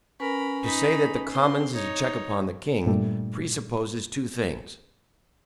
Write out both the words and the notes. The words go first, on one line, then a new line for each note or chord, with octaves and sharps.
To say that the commons is a check upon the king, presupposes two things.
C#4 A#4 B4 G#5 B5
D#4 B5
C4 C6
D#4 C#5
G2 A#2 G3 A3